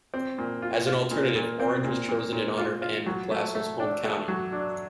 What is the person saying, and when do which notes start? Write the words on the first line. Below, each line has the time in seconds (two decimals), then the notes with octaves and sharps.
As an alternative, Orange was chosen in honor of Andrew Glassell's home county.
0.14 C4
0.38 A#2
0.62 F4
0.87 F4
1.11 A#2
1.35 A#2
1.60 C4
1.84 A#2
2.09 A#2
2.33 A#2
2.58 F4
2.82 F4
3.06 F#3
3.31 A3
3.55 A3
3.80 D4
4.04 A3
4.28 F#3
4.52 D4